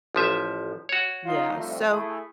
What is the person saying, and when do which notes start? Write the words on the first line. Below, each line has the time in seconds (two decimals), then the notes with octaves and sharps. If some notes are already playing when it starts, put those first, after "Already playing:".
Yeah, so,
0.15 A1 F3 E5
0.89 F#4 C#5
1.27 F#3 D#4 F4
1.56 C2 F2 A3
1.89 A3 E4 G#4